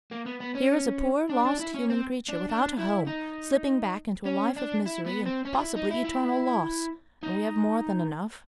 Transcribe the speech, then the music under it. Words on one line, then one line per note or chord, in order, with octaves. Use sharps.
Here is a poor, lost human creature without a home, slipping back into a life of misery and possibly eternal loss, and we have more than enough.
A#3
B3
B3
C#4
D4
D4
E4
C#4
C4
D4
D4
E4
D#4
C#4
D4
E4
B3
C4
C#4
F4
E4
D#4
E4
E4
D#4